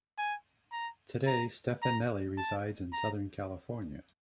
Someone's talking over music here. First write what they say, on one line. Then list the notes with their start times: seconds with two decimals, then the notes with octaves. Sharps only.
Today, Stefanelli resides in Southern California.
0.18 G#5
0.72 A#5
1.27 A#5
1.82 A#5
2.37 A5
2.93 A#5